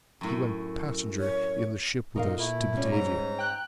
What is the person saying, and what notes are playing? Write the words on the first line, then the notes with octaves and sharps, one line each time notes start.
He went passenger in the ship with us to Batavia.
F#2 A2
C#5
A#2 D#4 A#4 F5
A3 E4 A#4
G3 C#4
G#2 A#5
G5 F#6